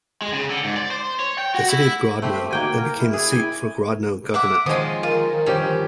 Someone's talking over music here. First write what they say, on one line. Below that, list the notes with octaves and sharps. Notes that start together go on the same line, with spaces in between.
The city of Grodno then became a seat for Grodno Governorate.
G#3
C#3
D3
G#2
D5
C5
C#5
G5
F#4
E4
A3 C4 G4 C5 B5
D#3 A#3 F#4 G5 G#5
A#4
E4
G#4 D5
G5 G#5
E5 F#5 D6
D#3 F3 G#3 C#4 D#6
F4 A#4
G2 F3 C#4 G4